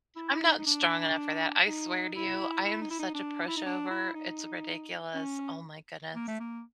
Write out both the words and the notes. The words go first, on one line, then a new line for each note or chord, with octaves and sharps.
I'm not strong enough for that. I swear to you, I am such a pushover. It's ridiculous. Oh my goodness.
E4
D#4
D#4
D4
D#4
E4
E4
D#4
E4
D#4
D4
E4
D#4
D4
E4
D#4
C#4
A#3
A3
A#3